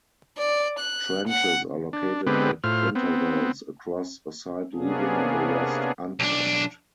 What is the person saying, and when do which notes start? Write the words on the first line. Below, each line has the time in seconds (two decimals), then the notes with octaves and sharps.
Trenches are located at intervals across a site leaving the rest untouched.
0.38 D5
0.79 F#6
1.28 F#5
1.93 D4
2.27 D3 G#3 B3 C4 G4 B4
2.64 A2 F4 C5 F6
2.95 B3 C4
4.75 C3 A#3 B3 C#4 D4 G#4
6.20 B1 D4